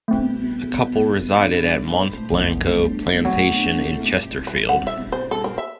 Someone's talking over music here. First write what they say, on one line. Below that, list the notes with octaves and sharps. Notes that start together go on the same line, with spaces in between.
The couple resided at Mont Blanco plantation in Chesterfield.
A3 C4
A#1 E2
F#3
B4
F#5
E5
C5
A4
A#4
E5